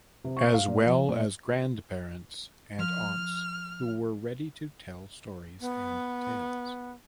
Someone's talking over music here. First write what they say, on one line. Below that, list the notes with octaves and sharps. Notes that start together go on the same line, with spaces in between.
As well as grandparents and aunts who were ready to tell stories and tales.
C3
C#6
F5
A#2
F3
A#2
F3 F6
B3